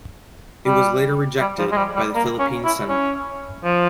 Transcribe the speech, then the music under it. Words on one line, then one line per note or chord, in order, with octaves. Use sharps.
It was later rejected by the Philippine Senate.
G3
G3
F3
G#3
G3
G3
A#3
C#4
E4
C#4
F3